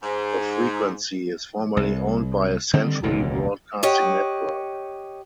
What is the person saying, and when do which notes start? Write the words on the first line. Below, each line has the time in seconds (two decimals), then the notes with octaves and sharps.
The frequency is formerly owned by Century Broadcasting Network.
0.03 G#2
1.77 C2
2.73 D3 D#3 G3 C4
3.03 E1 C#2 A#2 D3
3.83 G4 C#5 D#5 F#5